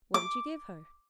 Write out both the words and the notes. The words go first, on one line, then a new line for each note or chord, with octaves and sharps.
'What did you give her?'
D6